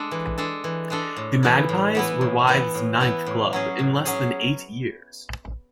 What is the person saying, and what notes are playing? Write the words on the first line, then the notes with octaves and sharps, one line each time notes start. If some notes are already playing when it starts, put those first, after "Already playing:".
The Magpies were Withe's ninth club in less than eight years.
Already playing: G#3 D4 A4
E3
G#3 D4 A4
E3
G#3 D4 A4
A2
E3 B3 E4
A2
E3 B3 E4
A2
E3 B3 E4
A2
E3 B3 E4
A2
F#3 C#4 G#4
A2
F#3 C#4 G#4